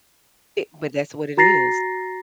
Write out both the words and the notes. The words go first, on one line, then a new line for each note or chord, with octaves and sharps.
I but that's what it is.
F#4 A#5 A6 A#6 C7